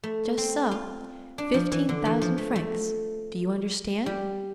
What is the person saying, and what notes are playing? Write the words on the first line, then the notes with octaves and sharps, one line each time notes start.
"Just so; fifteen thousand francs, do you understand?"
A3
C4
F4
D4
F3
E3
D3
E3
F3
A3
A3
G3